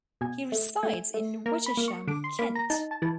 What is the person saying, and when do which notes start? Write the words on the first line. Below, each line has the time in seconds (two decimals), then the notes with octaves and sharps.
He resides in Wittersham, Kent.
0.21 B2 G#5
0.52 A3
0.83 A3 G#5
1.14 A3
1.46 A#3 A#5
1.66 B5
1.77 A#3
1.88 C#6
2.07 D3 D6
2.24 C6
2.39 A#3 B5
2.55 A#5
2.70 D#4 A5
2.91 A5
3.02 E3 A5